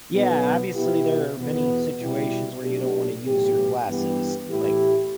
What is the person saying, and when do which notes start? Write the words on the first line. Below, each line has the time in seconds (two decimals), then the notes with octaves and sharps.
yeah, obviously there are many situations where you don't wanna use your glasses, like
0.13 B1 B2 B3
0.74 B2 B3 E4 G4
1.37 E2 B2 B3
1.99 B2 G3 E4 G4
2.61 B1 B2 A3 D4 G4
3.23 B1 A2 E3 B3 G4
3.85 G2 E3 B3 G4
4.47 A2 E3 A3 E4 G4